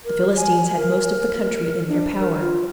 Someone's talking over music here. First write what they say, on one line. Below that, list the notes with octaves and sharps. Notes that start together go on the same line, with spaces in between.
The Philistines had most of the country in their power.
A#4
G#5
A#4
D4
A#4
F4